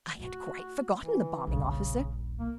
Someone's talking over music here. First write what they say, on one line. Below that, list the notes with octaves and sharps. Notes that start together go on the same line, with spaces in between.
I had quite forgotten the Bombing Officer.
A2 F#4
E3
D#1 A#1 C#3
A#3